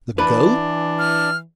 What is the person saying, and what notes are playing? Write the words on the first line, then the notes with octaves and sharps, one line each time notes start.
"The goat?"
E3 D4 B4
F6